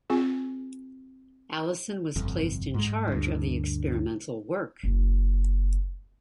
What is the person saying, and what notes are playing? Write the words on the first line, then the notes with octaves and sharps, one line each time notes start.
Allison was placed in charge of the experimental work.
C4 F4 G#4
G1 C2 F2
G#2 G#3
D2 G2
F#1